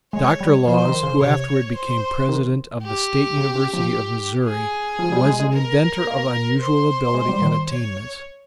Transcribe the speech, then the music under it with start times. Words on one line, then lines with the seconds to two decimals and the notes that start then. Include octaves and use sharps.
Doctor Laws, who afterward became President of the State University of Missouri, was an inventor of unusual ability and attainments.
0.13 G#3 C#5
0.41 G3
0.67 F3 C5
0.85 D#3
1.03 C#3
1.21 C3 C#5
1.76 C5
2.29 D#3
2.83 G4
3.38 C#3
3.55 C#3
3.74 F3
4.45 G#4
4.99 F3
5.12 G3
5.25 G#3
5.40 G#3
5.52 A#4
6.07 A#3
6.60 C5
7.14 G#3
7.29 G3
7.42 D#3
7.68 C#5